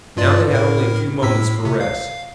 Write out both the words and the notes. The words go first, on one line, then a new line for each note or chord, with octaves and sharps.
Now they had only a few moments for rest.
G2 F4 D5
A2 A#4
A2 E6 B6
C3
F5